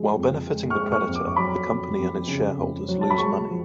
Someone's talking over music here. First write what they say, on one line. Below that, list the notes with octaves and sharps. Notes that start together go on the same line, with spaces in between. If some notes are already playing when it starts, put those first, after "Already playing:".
While benefiting the predator, the company and its shareholders lose money.
Already playing: F3 G#3
F2
G#3
C#6 F6
G#3
C#6 F6
F2
D6
C#6
F#3 B5 D6
F2
F2
C#3
F2
F#3
A5
B5
G#3 A5 C#6
F3